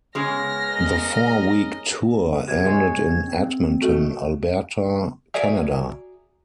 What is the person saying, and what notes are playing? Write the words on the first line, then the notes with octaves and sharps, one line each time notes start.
The four-week tour ended in Edmonton, Alberta, Canada.
C#3 G#3 B3 F6 A#6
A#4 D#5
C3 G#6
G#3 C#5
C4
B2 A3 G5
F#4 G#4 D5 E5 A#5